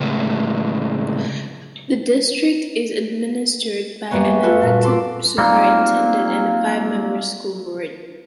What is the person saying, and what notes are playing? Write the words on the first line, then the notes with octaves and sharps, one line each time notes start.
The district is administered by an elected superintendent and a five-member school board.
C#2 A2
F#2 G3 A#3 B3 C#4
F4 F#4 A4 B4
A#2
A4 C6 D6
F#3 G3 A#3 C4 D#4 F4